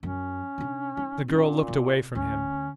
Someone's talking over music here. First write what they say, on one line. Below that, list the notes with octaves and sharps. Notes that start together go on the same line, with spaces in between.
The girl looked away from him.
F#2 C#4
C3 D4
D#4
A#2 C#4 D#4
C3
D2 C#4